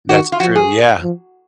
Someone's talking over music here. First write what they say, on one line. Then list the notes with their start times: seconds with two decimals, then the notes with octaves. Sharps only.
That's true, yeah.
0.09 D#3 F#4
0.32 F4
0.40 F3 F#4
0.55 G#4
1.02 F3